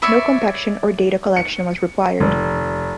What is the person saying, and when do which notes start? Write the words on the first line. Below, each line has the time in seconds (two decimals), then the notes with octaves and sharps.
No compaction or data collection was required.
0.02 C#5 D5 E5 B5
1.36 C#7
2.20 F1